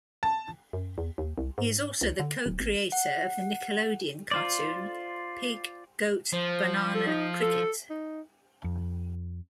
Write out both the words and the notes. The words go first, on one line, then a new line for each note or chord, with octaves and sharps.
He is also the co-creator of the Nickelodeon cartoon "Pig Goat Banana Cricket".
A5
F#2
E2
D#2
C2
G#2
C#2
D3
D1
G#1
F#5
F4 C5 D5
F3 C5
A4
D#4
A4
D#4
F2